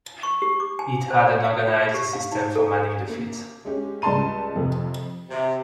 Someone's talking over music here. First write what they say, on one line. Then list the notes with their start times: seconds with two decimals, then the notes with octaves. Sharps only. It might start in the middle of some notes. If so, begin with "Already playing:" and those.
It had an organized system for manning the fleet.
0.23 C#6
0.42 G4
0.60 D6
0.79 G#5
1.10 C5
1.26 D5
1.44 F5
1.68 F4
1.94 G4
2.13 F5
2.32 D#4
2.56 A4
3.09 A#3
3.65 G#3 C#4 G4
4.02 C#2 C#3 G3 A5 C6 D#7
4.56 F2 C3
5.30 C3